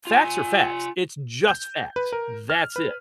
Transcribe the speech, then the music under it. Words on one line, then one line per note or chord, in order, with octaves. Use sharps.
Facts are facts. It's just facts. That's it.
F4 G#5
G6
B4
A#4
F6
B4